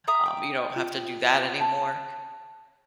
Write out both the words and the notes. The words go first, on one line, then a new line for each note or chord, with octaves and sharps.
um, you don't have to do that anymore.
E5 A#5 D#6
G5
F4
A5